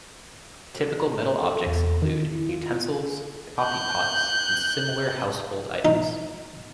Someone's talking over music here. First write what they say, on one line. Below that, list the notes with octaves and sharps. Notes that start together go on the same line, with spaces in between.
Typical metal objects include utensils, coffee pots, and similar household items.
A4
E2
D#3
E4
F4
F#6 G6
D#4